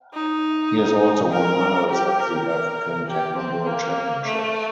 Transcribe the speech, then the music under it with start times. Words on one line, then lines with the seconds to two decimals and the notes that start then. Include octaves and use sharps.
He has also won medals at the African Taekwondo Championships.
0.13 D#4
1.31 A#4
1.90 G4
2.19 A#4
2.49 A#4
3.08 G4
3.37 C4
3.67 A#3
4.25 A3